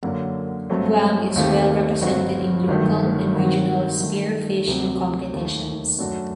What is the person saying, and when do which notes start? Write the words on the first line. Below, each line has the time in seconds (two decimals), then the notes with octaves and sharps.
Guam is well represented in local and regional spearfishing competitions.
0.03 F#2 D3 F#3 A#3
0.70 G2 F#3 A3 C4
1.36 D#2 D#3 A3 C4 G4
2.02 G1 G2 F#3 C4 F#4
2.68 G1 G2 D#3 F#3 A3
3.34 G2 D#3 F#3 C4 F#4
4.00 G2 D#3 A3
4.67 D2 C3 F#3 C4 G4
5.33 D#2 D#3 A3
5.99 F#2 F#3 A3 D4 F#4